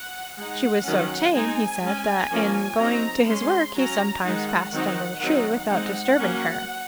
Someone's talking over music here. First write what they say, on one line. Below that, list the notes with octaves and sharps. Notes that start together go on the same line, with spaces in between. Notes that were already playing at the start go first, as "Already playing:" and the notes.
She was so tame, he said, that in going to his work he sometimes passed under the tree without disturbing her.
Already playing: F#5
G#3 D#4 F#5
D#3 F#3 C#4
G#3 C4 D#4 G#5
G#3 C#4
F3 A#3 C#4
F#3 C4 D#4 A#5
G#3 C#4 C6
F#3 C#4 A#5
D#3 G#3 D#4 F#5
D#3 F#3 C4 D#4
D#3 F#3 C4 D#4
G#3 C4 D#4 F#5
F#3 A#3 C#4